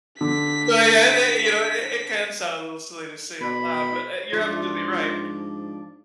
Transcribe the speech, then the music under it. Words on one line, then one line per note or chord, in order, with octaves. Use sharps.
But, yeah, i you know, it it can sound a little silly to say out loud, but, eh, you're absolutely right.
D3 B6
B2 B5
G#2 F3 D4 F4